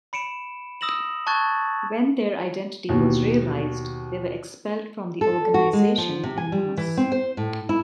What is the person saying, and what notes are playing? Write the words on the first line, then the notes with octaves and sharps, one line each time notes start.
When their identity was realised they were expelled from the organisation "en masse".
B5 C#7 D7 E7
D#6 E6 A#6 E7 F#7
A5 C#6 F#6 G#6 A6
D#2 B2
A4
F#4
G#3
F3
C3
G#5
G3
E3
C4
C5
A2
E4